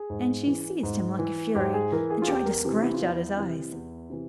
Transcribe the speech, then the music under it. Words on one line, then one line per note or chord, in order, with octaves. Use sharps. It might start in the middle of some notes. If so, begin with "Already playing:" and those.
And she seized him like a fury, and tried to scratch out his eyes.
Already playing: G#4
G#2
E3
G#2
E3
G#2 G4
G#4
E3 A#4
G#4
F4
E2 G4
A#4
C3 E3 G4
E4
F4
E2 E4
C3 E3
E2
C3 E3